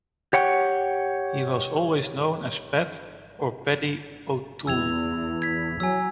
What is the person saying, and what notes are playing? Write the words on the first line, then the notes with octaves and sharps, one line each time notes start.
He was always known as Pat or Paddy O'Toole.
G4 C#5 F#5 G5
E2 E6 G#6 F7
G#6 B6
F#3 G#5 E6